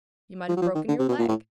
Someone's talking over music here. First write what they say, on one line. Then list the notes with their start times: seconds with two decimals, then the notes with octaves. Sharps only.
You might have broken your leg.
0.48 F3
0.57 F#3
0.62 F3
0.75 D#3
0.88 D3
0.99 C3
1.09 B2
1.18 A#2
1.29 A2